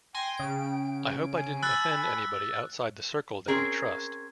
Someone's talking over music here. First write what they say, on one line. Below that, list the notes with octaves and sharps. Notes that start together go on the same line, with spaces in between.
I hope I didn't offend anybody outside the circle that we trust.
G5 G#5 C6 A#6
C#3 D7
G#5
B5 E6 F#6 A6
C4 C#4 G#4 A#4